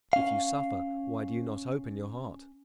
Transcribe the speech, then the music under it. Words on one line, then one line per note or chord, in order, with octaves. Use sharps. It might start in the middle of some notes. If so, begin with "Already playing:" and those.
If you suffer, why do you not open your heart?
C#4 F5